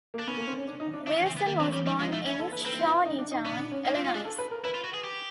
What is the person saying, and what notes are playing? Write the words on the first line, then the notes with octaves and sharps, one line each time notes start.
Wilson was born in Shawneetown, Illinois.
A#3
D4
B3 C#4
A#3
C4
C#4
D4
D#4
D4
D4 E4
C#4
C4
B3
G3 A#3
F#3 C4
G3 C#4
G3 D#4
G#3 F4
D#4
A3 E4
C#4 E4
A4
B4
C4 B4
F4
E4
D#4
D4
D#4
B3 D4
D4
C#4
A#3 D#4
C4 F4
C#4 F4
D4 G#4
A4
B4
A#4
E4 B4
F4
F#4
G#4
G4